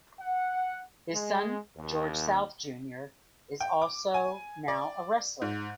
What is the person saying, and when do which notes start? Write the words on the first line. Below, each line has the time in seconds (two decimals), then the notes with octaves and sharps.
His son, George South Junior is also now a wrestler.
0.19 F#5
1.13 G#3
1.76 D#2
3.61 G5
3.82 D6
4.14 G#5
4.68 D5
5.42 G#2